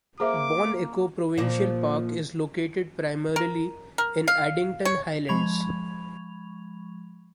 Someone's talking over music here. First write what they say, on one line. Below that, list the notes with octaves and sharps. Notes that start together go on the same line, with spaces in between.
Bon Echo Provincial Park is located primarily in Addington Highlands.
A#3 G#4 C5 E5 D6
A#2 F3
A#4
A#4
F5
C#5
F3 G#3 B5 C#6 G#6 F7